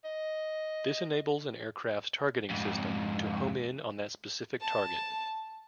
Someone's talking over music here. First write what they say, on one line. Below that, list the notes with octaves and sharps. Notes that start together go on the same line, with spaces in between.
This enables an aircraft's targeting system to home in on that specific target.
D#5
F2 G#2
A5